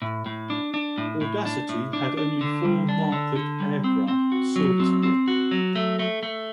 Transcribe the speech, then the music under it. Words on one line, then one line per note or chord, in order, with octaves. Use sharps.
"Audacity" had only four Martlet aircraft serviceable.
A2
A2
D4
D4
A2
A2
D4
A2
D4
D4
D3
G3
D4
D3
D3
G3
C4
C4
F#4
F#3
C4
C4
F#4
F#3
A3
A3
A3